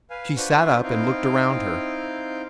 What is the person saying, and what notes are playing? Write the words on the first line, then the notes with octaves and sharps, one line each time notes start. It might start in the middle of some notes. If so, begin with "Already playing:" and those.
She sat up and looked around her.
B4 F5 G#5
D4 F4 B4 C5 F#5 C#6
C4 D#4 E4 F5 G5